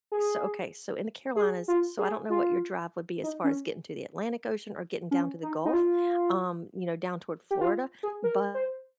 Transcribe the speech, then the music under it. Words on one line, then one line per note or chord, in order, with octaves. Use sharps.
so okay, so in the Carolinas, so, I don't know what your drive would be as far as getting to the Atlantic Ocean or getting down to the Gulf, um, you know, down toward Florida, but
G#4
G#4
F4
G#4
F4
D#4
C#4
C#4
D#4
D#4
F4
G4
F4
G#4
A#4
C5